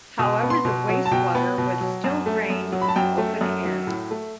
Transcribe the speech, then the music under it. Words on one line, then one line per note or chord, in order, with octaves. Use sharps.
However the wastewater was still drained in the open air.
B2 D#6
B3
C6
B2
F#3
A5
B2 G5
B3
B2
F#3
F#2
A3
F#2
F#3
B5
A5
F#2 G5
A3
F#2
F#3
A2
A3